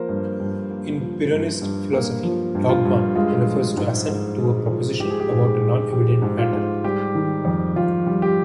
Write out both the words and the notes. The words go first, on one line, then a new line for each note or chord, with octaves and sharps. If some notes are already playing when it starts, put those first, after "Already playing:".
In Pyrrhonist philosophy "dogma" refers to assent to a proposition about a non-evident matter.
Already playing: F3 A#3 A#4 C5
G2
G2
A#3
F3
G2
G2
A#3
F3
G2
F4
G2
G#3 F4
F3
G#2
G#2
G#3
F3
G#2 G4
G#4
G4
G#2
G#4
G#3
F3 G4
G#2
F4
G#2
G3 G4
D#3
F2
F2 F4
G3
G4